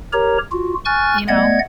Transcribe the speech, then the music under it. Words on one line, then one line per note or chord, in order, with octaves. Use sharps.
you know?
G4 A#4 C#5 A#5
F4 F#4
G#5 C#6 F6 F#6 A6
A3 B3 D5 D#5 F#5 G#6